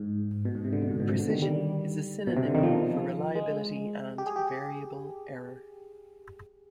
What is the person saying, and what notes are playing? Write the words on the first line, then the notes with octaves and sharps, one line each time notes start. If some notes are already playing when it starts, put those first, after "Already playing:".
"Precision" is a synonym for reliability and "variable error".
Already playing: G#2
B2
G#2
C3
D3
B2
G#2
B2
C3
D3
D#3
G3
B2
C3
D3
D#3
F3
G#3
G4
G#4
G4